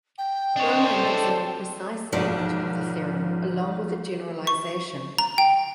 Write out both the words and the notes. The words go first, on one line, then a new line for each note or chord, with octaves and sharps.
Broman gives a more precise statement of the theorem, along with a generalization.
G5
C4 D4 C5 C#5 D#5
A4
B1 G#2 F3 F#3 A#3 D4
C#6
A#5
G5